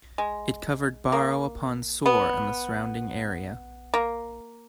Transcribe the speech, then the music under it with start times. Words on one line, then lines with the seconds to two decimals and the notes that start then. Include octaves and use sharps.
It covered Barrow upon Soar and the surrounding area.
0.18 G#3
1.12 A#3
2.06 B3
3.94 A#3